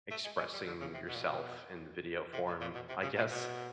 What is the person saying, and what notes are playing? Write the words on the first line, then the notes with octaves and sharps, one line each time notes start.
expressing yourself in the video form, I guess?
A3
G#3
G#3
G3
D3
C#3
C3
B2
A#2
B2
C3
A2
A#2
B2
C3
C#3
C3
B2